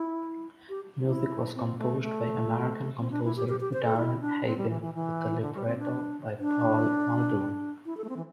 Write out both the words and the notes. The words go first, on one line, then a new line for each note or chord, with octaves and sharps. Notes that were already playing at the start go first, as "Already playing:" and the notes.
Music was composed by American composer Daron Hagen with a libretto by Paul Muldoon.
Already playing: E4
G4
E4
C4
A3
A3
C4
D4
E4
G4
G4
G4
C5
A4
E4
D4
C4
G3
E3
E3
E3
D3
G3
C4
D4
D4
E4
A4
A3
C4
E3